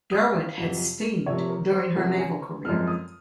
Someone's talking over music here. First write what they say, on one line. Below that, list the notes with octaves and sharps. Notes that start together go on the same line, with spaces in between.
"Derwent" had steamed during her naval career.
D#6
F5
F2 C3 F#3
C3 F3 A#3 C#5
A#4
C5
C3 F3 A#3 C#4 F#5
G#5
F#2 F3 G#3 C4 F6
D#6